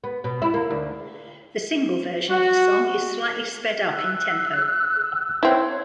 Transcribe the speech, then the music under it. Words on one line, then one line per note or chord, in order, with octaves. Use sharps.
The single version of the song is slightly sped up in tempo.
B3
B2
E4
A#3
D2
F#4
E6 F#6
C4 E4 C#5